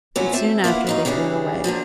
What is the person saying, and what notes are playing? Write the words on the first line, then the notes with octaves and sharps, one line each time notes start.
And soon after they flew away.
A#2 F#3 C#4 E4
C4 E5 A5
A#3 E4 F4 B4 F#5
F#2 D#4 F4
C#3 E3 G3 C4 D4 G#4
F3 F#3 A#3 D4